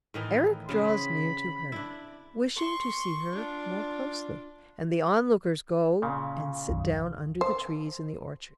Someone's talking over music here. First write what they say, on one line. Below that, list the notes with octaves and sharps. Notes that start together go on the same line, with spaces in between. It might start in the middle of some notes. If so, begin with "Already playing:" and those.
Erec draws near to her, wishing to see her more closely, and the onlookers go and sit down under the trees in the orchard.
A2 D#3 E3
C#3 C4 G#4 B5
D4 E4
C6 C#6
D4 F4
A#2 C#3
C2 F#2 D#3
C5